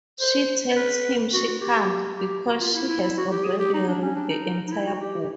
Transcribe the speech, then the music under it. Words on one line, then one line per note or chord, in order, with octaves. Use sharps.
She tells him she can't, because she has already read the entire book.
C5
B4
F#4
F#4
G4
G4
F#4
F4
E4
E4
E4
F#4
G4
G#4
G4
D#4
D4
C#4
D4
D#4
D#4
E4
F#4
G4
G4